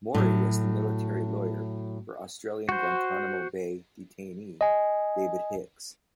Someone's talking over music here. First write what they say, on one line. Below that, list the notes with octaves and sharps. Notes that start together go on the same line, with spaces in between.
Mori was the military lawyer for Australian Guantanamo Bay detainee David Hicks.
A2 F#3
F#4 C5
D#5 G#5